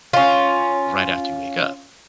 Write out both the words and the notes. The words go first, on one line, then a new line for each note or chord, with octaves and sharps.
right after you wake up,
C#4 F4